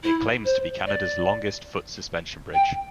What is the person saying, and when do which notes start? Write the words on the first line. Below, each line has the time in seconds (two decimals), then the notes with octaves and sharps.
It claims to be Canada's longest foot suspension bridge.
0.03 E4
0.44 C5
0.86 D5
2.53 G5